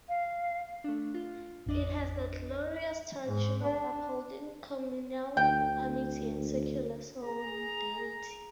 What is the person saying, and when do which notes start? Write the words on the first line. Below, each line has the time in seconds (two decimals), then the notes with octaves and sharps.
It has the glorious tradition of upholding communal amity and secular solidarity.
0.09 F5
0.84 A3 D4
1.14 F4
1.66 A1 F2 D4 D5 D#5
3.27 G#2
3.63 D4
5.37 D2 G5
7.23 G#4 A#5